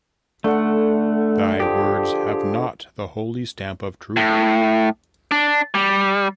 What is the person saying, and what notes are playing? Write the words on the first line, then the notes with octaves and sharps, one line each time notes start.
Thy words have not the holy stamp of truth.
D3 A3 F#5
F3 G4 G#4
A2
D4
G3